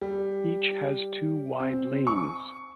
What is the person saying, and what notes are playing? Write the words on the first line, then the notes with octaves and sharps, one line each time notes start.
Each has two wide lanes.
G3
C4
C#6